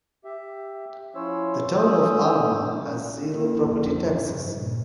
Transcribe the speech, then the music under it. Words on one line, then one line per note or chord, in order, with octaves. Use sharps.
The town of Alma has zero property taxes.
G4 E5
F3 C#4 E4 C5 C#5 E6
D3 C#4 D#6 E6 G6
C#4
A#3 E4
F2 C4
G2 C#3
A#2